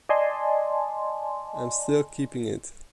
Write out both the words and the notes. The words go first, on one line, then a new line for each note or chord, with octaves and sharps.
I am still keeping it.
D5 D#5 G#5 A5 C6